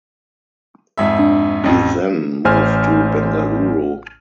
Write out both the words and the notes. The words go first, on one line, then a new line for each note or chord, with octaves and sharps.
He then moved to Bengaluru.
F2 G#2 E5
D4
A1 F2 C#4
A1 C5 G#5 F6